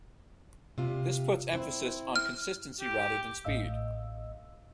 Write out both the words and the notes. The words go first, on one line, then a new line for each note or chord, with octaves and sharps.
This puts emphasis on consistency rather than speed.
C3 F4
C4 E4
F6
G4
A1 A2 D#5 F5 E6